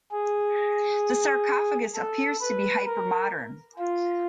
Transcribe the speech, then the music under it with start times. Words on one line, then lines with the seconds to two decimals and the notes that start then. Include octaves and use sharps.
The sarcophagus appears to be hyper-modern.
0.11 G#4
1.95 A4
2.41 B4
2.86 A#4
3.78 F4